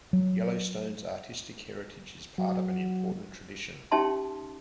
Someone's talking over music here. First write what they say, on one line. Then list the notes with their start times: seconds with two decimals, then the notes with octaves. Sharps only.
Yellowstone's artistic heritage is part of an important tradition.
0.13 F#3
2.38 F#3
3.91 C#4 D#4 G4 E5 A5 C6